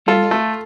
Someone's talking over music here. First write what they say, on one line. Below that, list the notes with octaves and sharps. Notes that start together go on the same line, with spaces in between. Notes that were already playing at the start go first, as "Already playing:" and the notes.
in it?
F4 A4
A3